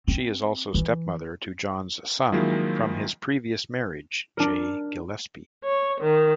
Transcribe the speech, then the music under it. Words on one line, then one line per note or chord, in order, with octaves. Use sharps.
She is also step-mother to John's son from his previous marriage, Jay Gillespie.
C4
E3
D#3 F3 F#3 G#3 A#3 E4
D4 A#4
C#5
D#3